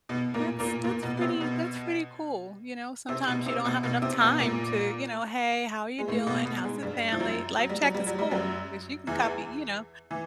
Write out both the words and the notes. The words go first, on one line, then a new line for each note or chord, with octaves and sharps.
that's that's pretty that's pretty cool, you know? Sometimes you don't have enough time to, you know, "Hey, how are you doing? How's the family?" "Life check" is cool 'cause you can copy you know,
B2 B3
A#2 A#3
A#2 A#3
A#2 A#3
B2 B3
B3
C3 C4
B2 B3
C3 C4
B2 B3
C3 C4
B2 B3
B2 B3
C3 C4
B2 B3
A#2 A#3
G#3
A2 A3
B2 B3
B2 B3
G#2 G#3
G2 G3
F3
F#2 F#3
F#3
G3
F#3
G3
F#3
G3
F#2 F#3
E2 E3
E3